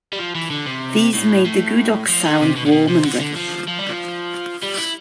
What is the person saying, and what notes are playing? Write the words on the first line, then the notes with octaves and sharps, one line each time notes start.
These made the gudok's sound warm and rich.
G3
F3
E3
D3
C3
A2
A2
F3
D3
C3
B2
A2
B2
C3
D3
D3
F3
F3
G3
F3
G3
E4